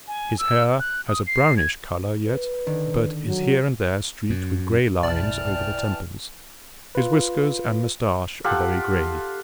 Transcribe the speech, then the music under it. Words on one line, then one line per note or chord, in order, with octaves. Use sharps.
His hair has a brownish colour yet, but is here and there streaked with grey lines over the temples; his whiskers and moustache are very grey.
G#5
E6
F#6
D#6
C7
G#6
B4
D3 D#3
F#3
F#2
A#1 F2 B2 E3 D5 G5 A5 F6
F4 B4
F4 G4 A4 F#5